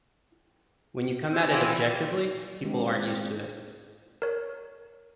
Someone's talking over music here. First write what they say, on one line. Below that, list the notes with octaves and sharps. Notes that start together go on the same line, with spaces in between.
When you come at it objectively, people aren't used to it.
C5 E6
E3 C4 F4 G#5
D#3 G#3 C4 D4 F#4 G4
A#4 C#5